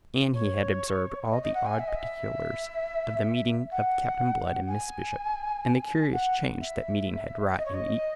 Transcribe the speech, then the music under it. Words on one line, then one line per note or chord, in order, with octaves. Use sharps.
And he had observed all the odd particulars of the meeting of Captain Blood and Miss Bishop, and the curious change that meeting had wrought in each.
C#5
D#5
D#5
F#5
G#5
E5
D#5
E5
F#5
G#5
F#5
E5
D#5
C#5
D#5